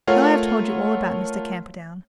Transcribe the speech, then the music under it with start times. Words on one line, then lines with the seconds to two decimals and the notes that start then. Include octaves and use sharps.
"Now I have told you all about Mr. Camperdown."
0.07 A3 F4 A#4 C#5 F5 F#5